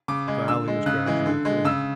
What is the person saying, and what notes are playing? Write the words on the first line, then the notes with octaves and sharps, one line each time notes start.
The valley is gradually clearing.
C#3 D6
G#3
D3 E6
G#3
C#3 F#6
E3 G#3
D3
G#3
C#3 E6